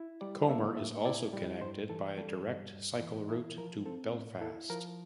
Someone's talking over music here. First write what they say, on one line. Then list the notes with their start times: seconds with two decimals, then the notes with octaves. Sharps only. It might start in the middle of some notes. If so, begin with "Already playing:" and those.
Comber is also connected by a direct cycle route to Belfast.
Already playing: E4
0.21 G3 D5
0.49 A#3 E5
0.77 A2 E5
1.05 E4 D5
1.33 G3
1.61 G2 C5
1.90 E3 A4
2.18 G3 A4
2.45 G2
2.73 G2
3.01 E3
3.29 E4 A4
3.57 F3 A#4
3.86 C4 A4
4.13 A2
4.41 E4 A4
4.69 F3 A#4